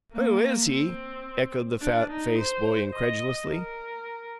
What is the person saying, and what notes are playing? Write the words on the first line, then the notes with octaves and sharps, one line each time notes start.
"Who is he?" echoed the fat-faced boy incredulously.
A#3
C4
D4
D#4
C5
D#5
A#4